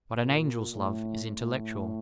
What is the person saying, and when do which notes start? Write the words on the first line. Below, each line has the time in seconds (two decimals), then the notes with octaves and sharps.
But an angel's love is intellectual.
0.15 A#2
0.71 A2
1.26 A2